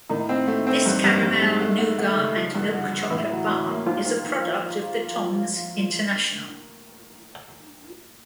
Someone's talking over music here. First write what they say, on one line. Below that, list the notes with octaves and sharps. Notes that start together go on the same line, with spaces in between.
This caramel, nougat, and milk chocolate bar is a product of the Toms International.
A2 D#3 D#4
C4
A3
C4
G2
G2
G2
G#3
A3
A3
A3
C#3
F3
G2
D3
D3
A2 E3 E4
F#3
C#4
A#3
D#3 F3 F4
D#3
D#3